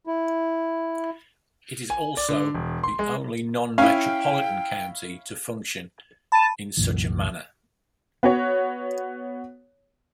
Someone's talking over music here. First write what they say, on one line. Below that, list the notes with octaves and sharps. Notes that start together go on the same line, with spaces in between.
It is also the only non-metropolitan county to function in such a manner.
E4
G#5
D5
D3
E1
C6
G#3
C#4 E4 F5 G5
A5 B5 D#7
C2 F#2 A#2 E3
B3 F#4 C#5